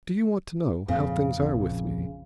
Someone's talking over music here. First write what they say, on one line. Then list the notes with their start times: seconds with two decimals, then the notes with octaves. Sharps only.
"Do you want to know--how things are with me?"
0.88 F2 A#2 C#3 C4
1.39 A#1 F2